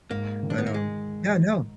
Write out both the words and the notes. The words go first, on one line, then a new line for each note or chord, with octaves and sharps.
but, um Yeah, no
G#2 A#3
D#3
D4
B3
A#3
G#3